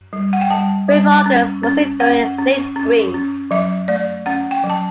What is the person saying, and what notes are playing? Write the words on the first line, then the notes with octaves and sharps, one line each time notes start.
Rainfall occurs mostly during late spring.
G3
F#5
G5
G3 A5
G3
C#4
C#4
C#4 F#5
C#4
C#4
C#4
F#3 E5
A3 D5
C#4 F#5
G5
F#3
A5